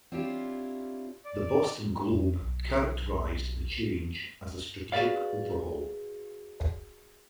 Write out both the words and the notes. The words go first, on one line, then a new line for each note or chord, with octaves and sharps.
The Boston Globe characterized the change as a strategic overhaul.
C4 D4 E4 F4 G4 C#5
D5
F2
B1
F#4 G#4 B4 D5 F5